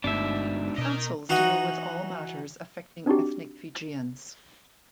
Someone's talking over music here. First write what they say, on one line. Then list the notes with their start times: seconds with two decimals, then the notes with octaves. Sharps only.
The councils deal with all matters affecting ethnic Fijians.
0.04 G1 G#2 B2 A3 D4 E5
0.78 B2 A#4 D#5
1.29 E3 D#4 F#4 F#5 D#6
3.06 C4 D4 D#4 F#4 G4